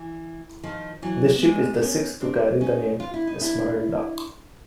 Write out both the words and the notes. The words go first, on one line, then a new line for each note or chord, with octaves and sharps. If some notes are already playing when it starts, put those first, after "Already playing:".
The ship is the sixth to carry the name "Esmeralda".
Already playing: E3
D#3 F3
E3 F#3
B3
G#3 A#3
D4
B3 C#4
C4 D4
C#4 D#4
F4
E4
D#4
D4 E4